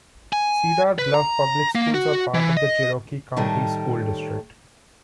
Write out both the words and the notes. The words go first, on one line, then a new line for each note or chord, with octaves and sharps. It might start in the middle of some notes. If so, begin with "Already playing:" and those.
Cedar Bluff Public Schools are part of the Cherokee County School District.
G#5
B4
A#5
A#3
F#4
E3
D#5
A2 D#3 G3 A3